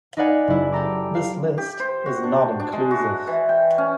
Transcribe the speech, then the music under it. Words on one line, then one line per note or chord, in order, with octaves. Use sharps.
This list is not inclusive.
D#4 B4 D5 F5 F#5 G#5
F#1 E4
G4 A4 A#5 D6
F5
G4
C5
F#4
D4
D4
G#3
F#4
E3
G5
C#4